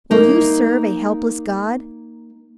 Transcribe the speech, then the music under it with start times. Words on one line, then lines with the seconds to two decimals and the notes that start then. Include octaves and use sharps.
Will you serve a helpless god?
0.11 A#3 D#4